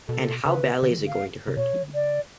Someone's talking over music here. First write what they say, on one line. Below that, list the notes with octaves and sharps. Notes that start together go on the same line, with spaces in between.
And how badly is it going to hurt?
B2 A4
C#3
B2
C#3 B4
D3
F3
D3
F5
C#3
B2 C#5
F3
D3
C#3 D5